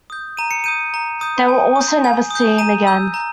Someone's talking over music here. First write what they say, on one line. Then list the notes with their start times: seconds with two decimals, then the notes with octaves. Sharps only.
They also were never seen again.
0.10 D#6 G6
0.37 A#5 D#7
0.51 C#7
0.64 D#6 G6 D#7
0.94 A#5
1.21 D#6 G6
1.48 G#5
1.76 D#6
1.81 G6
2.04 G#5
2.31 D#6 G6
2.58 A#5 D#7
2.87 E6 G6
3.14 A#5